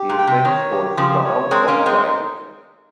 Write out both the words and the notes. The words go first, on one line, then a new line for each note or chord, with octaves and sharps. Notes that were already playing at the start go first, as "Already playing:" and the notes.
He is famous for his vow of silence.
Already playing: G4
A#2
G5
C3
D#3 C#5
G4
C#3 F3 G4
C#5
G#3 C4 A#4
A#3 C#4
D#4
G#3 C4